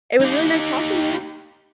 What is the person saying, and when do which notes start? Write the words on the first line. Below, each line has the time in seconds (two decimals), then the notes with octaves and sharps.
it was really nice talking to you.
0.21 D#4 G4